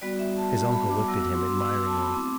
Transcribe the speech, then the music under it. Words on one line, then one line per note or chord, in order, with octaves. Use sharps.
His uncle looked at him admiringly.
G3 B3 F#4 D5
E5
A5
A5
B5
D6
F#3 B3 F#4 E6
D6
C6
D6
E6
D6
A5
B5
A3 C4 E4 D6